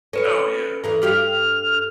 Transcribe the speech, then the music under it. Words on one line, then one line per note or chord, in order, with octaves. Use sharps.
Oh, yeah,
C#4 A4 B4 C#7
E2 E3 A4 A#4
G2 G4 F5 F6